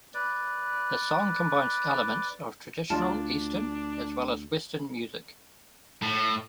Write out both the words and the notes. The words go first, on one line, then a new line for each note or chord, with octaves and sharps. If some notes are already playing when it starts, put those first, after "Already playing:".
The song combines elements of traditional Eastern as well as Western music.
B4 D5
D2 D4 F4 D5 A5
A2